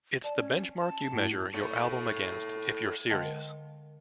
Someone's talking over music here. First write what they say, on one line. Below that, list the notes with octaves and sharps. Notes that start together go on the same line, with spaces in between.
It's the benchmark you measure your album against if you're serious.
D5 A5
C#4
A5
G#2 A3 E4
A4 C#5
D3 G#3 D#5 F#5 G5 A5
A#4